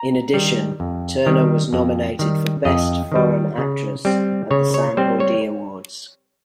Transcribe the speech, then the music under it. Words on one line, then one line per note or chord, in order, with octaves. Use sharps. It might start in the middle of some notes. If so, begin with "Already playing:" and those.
In addition, Turner was nominated for Best Foreign Actress at the Sant Jordi Awards.
Already playing: A#5
D#3 G3
F2
D#3 G3
F2
D#3 G3
F2 D#5
D#3 G3
C#3
G3 C4
C#3 C#5
C#5
G3 C4 C5
C#5